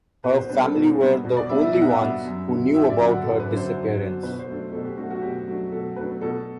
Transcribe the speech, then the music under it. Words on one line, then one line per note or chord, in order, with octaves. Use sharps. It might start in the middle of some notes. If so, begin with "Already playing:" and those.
Her family were the only ones who knew about her disappearance.
B2 B4
C5
G3 B3 D4 B4
A4
B2
G3 B3 D4
B2
D5
G3 B3 D4 E5
E5
B2 E5
F#5
E5
G3 B3 D4
F#2
D3 F#3
F#2 E5
D5
D3 F#3
F#5
F#2 A4
B4
D3 F#3
C5
F#2
D3 F#3
B2 B4
C5
F#3 A3 D4
B2 A4
G4
F#3 A3 D4 F#4
F#4
B2 G4
F#3 A3 D4
B2 A4
F#3 A3 D4 B4
B2 A4